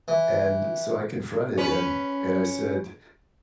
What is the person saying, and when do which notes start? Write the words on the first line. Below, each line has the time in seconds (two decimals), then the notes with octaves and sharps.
And so, I confronted him, and I said,
0.08 E3
1.57 C#4 B4